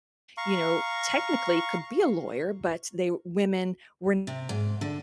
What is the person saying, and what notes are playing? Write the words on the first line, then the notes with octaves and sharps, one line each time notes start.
you know, technically could be a lawyer, but they Women were
F5 A#5 C#6
C3
G#2
D3